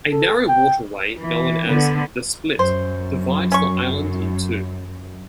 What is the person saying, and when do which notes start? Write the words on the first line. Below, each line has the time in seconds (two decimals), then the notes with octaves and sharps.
A narrow waterway known as "the Split" divides the island in two.
0.12 A4
0.49 G5
1.18 E3
1.65 D3 B3
2.59 F#2 C5
3.52 C#4 C#6